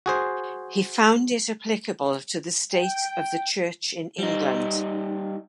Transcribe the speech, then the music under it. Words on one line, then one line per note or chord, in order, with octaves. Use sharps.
He found it applicable to the state of the church in England.
F#4 G#4 C5
G5
G3 D#4